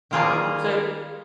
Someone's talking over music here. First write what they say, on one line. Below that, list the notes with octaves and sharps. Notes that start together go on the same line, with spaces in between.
um, so
D#3 G3 A#3 F4 G#4